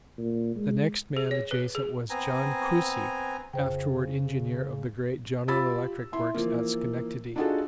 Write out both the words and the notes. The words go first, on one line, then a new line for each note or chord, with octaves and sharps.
The next man adjacent was John Kruesi, afterward engineer of the great General Electric Works at Schenectady.
A#2
G#3
G#4
C#5
B4
G#4
B3 C4 G#5 A#5
F2 C#3 C5 G5
F4 G4 B5 E6 A6
E4 C6
E3 F3 A#3
D4 D#4 F4 F#4 G#4 A4